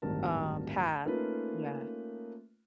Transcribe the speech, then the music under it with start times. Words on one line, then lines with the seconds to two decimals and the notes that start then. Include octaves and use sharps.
uh, path. Yeah.
0.02 D1 G#1 G2 D#3 A#4 A5
1.05 A3 A#3 C#4 D#4 F4 B4